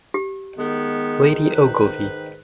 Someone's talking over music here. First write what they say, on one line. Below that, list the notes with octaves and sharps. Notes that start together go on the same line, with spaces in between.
Lady Ogilvy.
G4
D#3 G#3 B3
G#2 B4